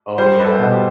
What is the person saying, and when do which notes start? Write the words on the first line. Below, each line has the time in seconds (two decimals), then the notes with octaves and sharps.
Oh, yeah?
0.18 G3 C5
0.38 B4
0.44 A4
0.59 B2
0.71 G4